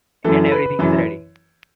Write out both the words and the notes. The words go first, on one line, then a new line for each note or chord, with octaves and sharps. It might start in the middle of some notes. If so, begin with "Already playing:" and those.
And everything is ready.
F#2 E3 A4
A4
B4
F#2 E3